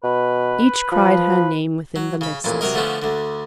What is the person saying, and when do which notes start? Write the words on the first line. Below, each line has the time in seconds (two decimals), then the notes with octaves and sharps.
Each cried her name within the lists.
0.03 B2 B4
0.92 F3 B4
1.96 F#3
2.21 C#3 B5
2.44 A1 F2 A#2 G#5
2.61 C3 F#3 A#4 D#5
2.74 D3 F3 A3 B3 C#4
3.02 D2 D3